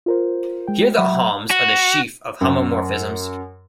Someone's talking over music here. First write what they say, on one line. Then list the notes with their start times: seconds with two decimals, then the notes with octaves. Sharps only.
Here the "Hom"'s are the sheaf of homomorphisms.
0.06 F4 A#4 C5
0.67 G#3 G5
0.96 F#3 E5 F#5 B5
1.50 F#4
2.41 F#2